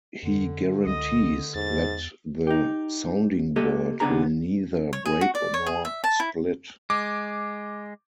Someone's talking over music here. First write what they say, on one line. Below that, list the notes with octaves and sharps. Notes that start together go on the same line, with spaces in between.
He guarantees that the sounding-board will neither break nor split.
F2 D3
C#2 D#5
E2 G#2 A6
D#4 G4
A#3 G4 A4 D#5
C#3 B3 D4 G#4 A#5
C#5
G#4
F#4
D5
C#5
G#4
E5
A5
E4
G#3 D6